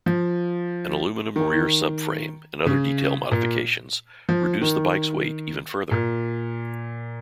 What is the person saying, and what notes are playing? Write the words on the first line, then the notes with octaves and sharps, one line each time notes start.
An aluminum rear subframe and other detail modifications reduced the bike's weight even further.
F3
D#3
C#3
A#2
F3
D#3
A#2